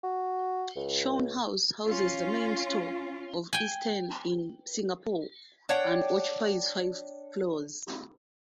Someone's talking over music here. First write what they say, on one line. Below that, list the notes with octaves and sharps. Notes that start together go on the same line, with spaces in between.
Shaw House houses the main store of Isetan in Singapore, and occupies five floors.
F#4
C#2
C#4 F4
G5 G#5
D4 C#5 F#5 G5